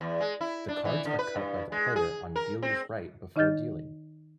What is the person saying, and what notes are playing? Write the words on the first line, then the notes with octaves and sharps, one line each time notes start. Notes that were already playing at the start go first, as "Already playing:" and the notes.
The cards are cut by the player on dealer's right before dealing.
E2
G#3
E4
D4
E3
D3
B4
G2
G#3
G#4
A#4
C4
D#3 D#4 D#5 F6 G6 A6